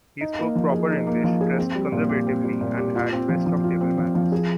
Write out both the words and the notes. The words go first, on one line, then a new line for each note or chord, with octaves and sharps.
He spoke proper English, dressed conservatively, and had the best of table manners.
D#4
A#3
F3
G#4
D#4
A#3
F3
G#4
C4
G3
A#2
G4
C4
G3
A#2
G4
F4
C4
F3
F3
F4
C4
F3
F3
G#4